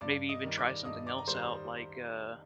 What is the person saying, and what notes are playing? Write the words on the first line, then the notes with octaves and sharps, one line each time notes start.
maybe even try something else out like, uh
G2 D5 D6
D#5 D#6
D#3 G3
D5 D6
G2 D#5 D#6
D5 D6
A#5
D#3 G3 C5 C6